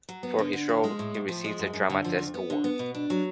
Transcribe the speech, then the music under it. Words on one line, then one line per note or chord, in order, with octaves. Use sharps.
For his role, he received a Drama Desk Award.
F#3
B3
D3
D3
F3
G#3
A2
A2
F3
G#3
F#2
F#2
D3
F3
F2
B3
D3
B3
B2
D4
F#3